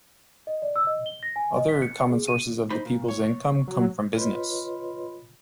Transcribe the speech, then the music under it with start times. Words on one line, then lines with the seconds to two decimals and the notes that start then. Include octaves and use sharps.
Other common sources of the people's income come from business.
0.47 D#5
0.62 D5
0.76 E6
0.87 D#5
1.06 G7
1.23 A#6
1.36 G#5
1.56 D#5
1.69 B6
1.82 C#7
2.10 G#4
2.28 D#7
2.70 D#4 C5 B5
2.85 A#2
3.08 C#5
3.68 F#3
4.15 F4 B4 C#5 D#5 B5 C6